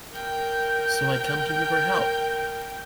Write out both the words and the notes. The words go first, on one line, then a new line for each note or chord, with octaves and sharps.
So I come to you for help.
A#4 G5